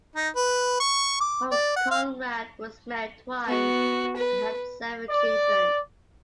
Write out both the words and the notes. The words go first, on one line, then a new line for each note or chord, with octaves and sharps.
Holmes Conrad was married twice and had seven children.
D#4
B4
C#6
D6
D5
F#5
F5
B3 F#4
B4
D5